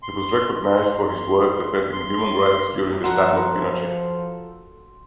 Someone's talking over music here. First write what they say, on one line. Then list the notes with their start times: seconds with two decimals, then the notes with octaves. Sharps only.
He was recognized for his work defending human rights during the time of Pinochet.
0.02 C6
1.93 C6
3.04 F3 F#4 A4 A#4 F#5 A#5 C6